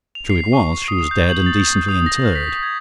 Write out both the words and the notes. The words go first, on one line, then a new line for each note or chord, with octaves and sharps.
True it was, she was dead and decently interred.
F7
C7
C#6
D#6
G6
F#7
A6
D#6
A#6
B6
G#6